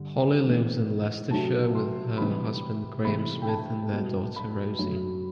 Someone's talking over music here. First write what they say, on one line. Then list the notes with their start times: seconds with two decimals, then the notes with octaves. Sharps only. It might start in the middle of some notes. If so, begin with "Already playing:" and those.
Holly lives in Leicestershire with her husband Graham Smith and their daughter Rosie.
Already playing: G2 D3
0.44 A2 E3 B3
1.30 C3 F#3 A3 A5
1.75 C6
2.18 C3 E3 G3 B3 B5
3.05 C3 E3 A3 B5
3.42 G5
3.48 A5
3.92 B2 G3 B3
4.36 B5
4.79 F#2 F#3 A3